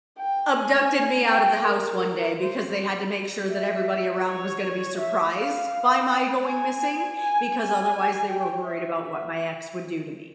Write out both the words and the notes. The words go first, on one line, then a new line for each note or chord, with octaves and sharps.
abducted me out of the house one day because they had to make sure that everybody around was gonna be surprised by my going missing because otherwise they were worried about what my ex would do to me.
G5
G#5
G5
A#4
C5
E5
C#5
E5
F5
G5
G#5
G#5
G#5
G5
E5
E5